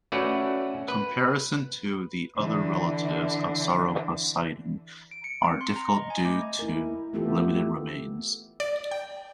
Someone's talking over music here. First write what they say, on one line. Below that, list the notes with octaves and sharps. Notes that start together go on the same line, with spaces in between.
Comparisons to the other relatives of "Sauroposeidon" are difficult due to limited remains.
A3 C#4 F#4 B4 D5
B4
D3 E3
D7
C#7
C4
C6
A#5
D#5
G#5
A3
E4 A#4
E3 A3 B3 F4 G4 A4
D5
G5